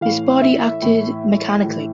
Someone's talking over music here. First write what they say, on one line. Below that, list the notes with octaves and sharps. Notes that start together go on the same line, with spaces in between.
His body acted mechanically.
A2 E3 F5
E5
A2 E3
A2 E3